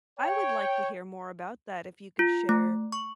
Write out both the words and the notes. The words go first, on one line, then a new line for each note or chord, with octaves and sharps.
I would like to hear more about that if you could share
C#5 G5
F4
A3
C#6